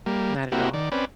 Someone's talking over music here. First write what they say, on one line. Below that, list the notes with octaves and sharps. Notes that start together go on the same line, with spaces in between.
not at all,
G3 A#3
A#3 C4 E4 F#4 G4
D#3 D5
C4 C#4 B4 D5